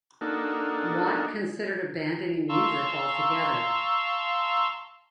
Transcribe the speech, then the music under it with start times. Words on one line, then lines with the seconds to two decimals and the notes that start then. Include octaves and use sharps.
Watt considered abandoning music altogether.
0.21 A#3 D4 D#4 F#4 A4
2.49 F5 A5 A#5 C6 C#6 E6